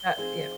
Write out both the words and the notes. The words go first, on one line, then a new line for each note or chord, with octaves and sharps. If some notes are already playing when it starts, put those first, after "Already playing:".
but, you know.
Already playing: G7
F3 C4 D#4 G#4 C5